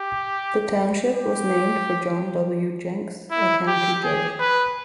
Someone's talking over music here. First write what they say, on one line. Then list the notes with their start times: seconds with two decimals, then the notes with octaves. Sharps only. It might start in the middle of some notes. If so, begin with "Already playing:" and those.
The township was named for John W. Jenks, a county judge.
Already playing: G4
1.14 G4
3.31 E4
3.67 G4
4.03 G#4
4.40 B4